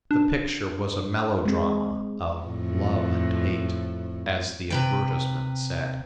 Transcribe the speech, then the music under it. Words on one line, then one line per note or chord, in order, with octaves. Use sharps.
The picture was a melodrama of "love and hate," as the advertisement said.
D4
G#3 C4
F2 A2
C3 B4 G5